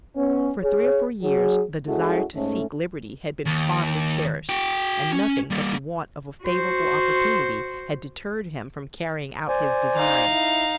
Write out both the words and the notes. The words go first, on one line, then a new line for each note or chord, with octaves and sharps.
For three or four years the desire to seek liberty had been fondly cherished, and nothing but the want of a favorable opportunity had deterred him from carrying out his designs.
B3 C#4
G#4 C#5
F#3 G#4
G#3 C#4 E4 F#4 G#4 A4
G#2 A3 C#4
D#2
F#4 G5
C#4
G3 A#3
F#4 C5
C5 D5 G#5
D#4 F5
E4